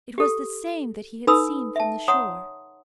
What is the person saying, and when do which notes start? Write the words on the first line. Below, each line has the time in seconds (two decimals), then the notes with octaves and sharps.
It was the same that he had seen from the shore.
0.18 G4 A4
1.27 D#4 A4 B4 B5 D#6 E6
1.76 E5 A5
2.08 C#5 F#5 A#5 C6 D#6